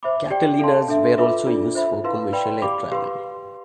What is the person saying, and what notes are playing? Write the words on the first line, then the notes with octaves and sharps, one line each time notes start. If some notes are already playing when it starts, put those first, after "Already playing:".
Catalinas were also used for commercial air travel.
C5 E5 B5 D6
G4 D5 G5
A4 D5 F5 A5 C6
D4 A4 E5
F4 B4 E5 B5 D6
D4 F4 A4 D5
C5 E5 B5
E4 B4 F5 C6
B4 D5 G5 B5
G4 D5 F5 B5 D6
G4 B4 F5 C6